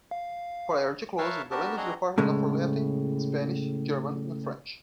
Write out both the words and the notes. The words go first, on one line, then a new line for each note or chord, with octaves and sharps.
Prior to closing, the Language Department offered Latin, Spanish, German and French.
F5
A#4 B4 C#5 E5 F5 A5
B3 D4 F#4 G4 A#4 A5
C4 D4 F#4 G#4 D#5 A#5
A2 C#3 G#3